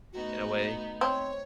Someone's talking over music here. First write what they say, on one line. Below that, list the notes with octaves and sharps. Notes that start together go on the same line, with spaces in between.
in a way.
A3 B3 D#4 F#4
C4 C#5